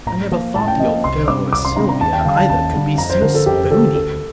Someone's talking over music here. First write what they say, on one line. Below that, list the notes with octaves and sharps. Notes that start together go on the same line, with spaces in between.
I never thought the Old Fellow or Sylvia either could be so spooney.
A2 A#5
F3 A#3
A2 A5
G5
F3 A#3 D#5
C2 C6
C3 G3 D4 D6
C2 D6
C6
C3 G3 D4 A#5
A#5
D#2 A5
G5
D3 G3 D4 F5
A5
D#2 A5
D3 G3 D4
F2 A#5
C5
D3 F3 A#4
A4
F2 G4
D3 F3 A4
D2 A4